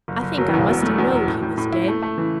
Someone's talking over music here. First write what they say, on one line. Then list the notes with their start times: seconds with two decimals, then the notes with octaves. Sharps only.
I think I must 'a' knowed he was dead.
0.08 F#1
0.23 F#1
0.37 F#1 F#3
0.48 E3
0.53 E2 C#3
0.68 E1 B2
0.82 E1 A3
0.97 E2 F#3
1.12 E1
1.28 A2
1.42 A2
1.58 A2
1.72 E4
1.88 A3
2.02 A3
2.17 C#3 E3